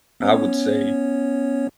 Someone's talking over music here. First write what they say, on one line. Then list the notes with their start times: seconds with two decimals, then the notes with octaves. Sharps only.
I would say,
0.20 B3 C#4 C#5